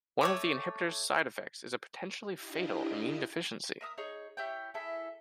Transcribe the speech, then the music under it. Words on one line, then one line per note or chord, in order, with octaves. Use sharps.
One of the inhibitor's side effects is a potentially fatal immune deficiency.
A3 C#5 D6
D4 E4 F4 G4 D#5
A#4 E5 D#6
D#4 G#4 C#5
E4 G4 C#5 G5
E4 G#4 A4 E5